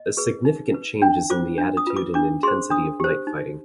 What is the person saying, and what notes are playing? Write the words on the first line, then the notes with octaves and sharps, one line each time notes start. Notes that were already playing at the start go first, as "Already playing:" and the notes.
A significant change is in the attitude and intensity of knight fighting.
Already playing: D#5
G#4 B4
D#4
B4
D4 G5
F4 C5 D6
D4
D#6
F4 B4
D6
D4 D6
G#4 C5 C6
D4 D#6
G4 C5
D#4